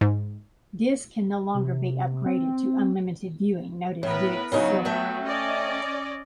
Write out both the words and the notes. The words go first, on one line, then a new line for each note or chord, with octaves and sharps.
Discs can no longer be upgraded to unlimited viewing, known as Divx Silver.
G#2
C3
C4
A2 B3 A#4 B4
C#3 F#3 B3 C#4 D#4
A3 E5 G5
C#4 D5 D#5